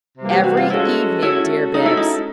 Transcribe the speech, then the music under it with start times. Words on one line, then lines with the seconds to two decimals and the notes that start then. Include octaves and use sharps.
"Every evening, dear Bibbs!"
0.18 C3 E3 G3 A#3
0.31 G4
0.44 F#4
0.57 F4
0.70 G#3 C#4 E4 F#4 A4
1.22 G#3 C#4 E4 F#4 A4
1.74 G#3 C#4 D#4 F#4 A4
1.86 E4
1.97 D#4